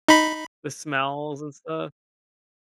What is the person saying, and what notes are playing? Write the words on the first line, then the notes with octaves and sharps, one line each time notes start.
the smells and stuff?
D#4 B5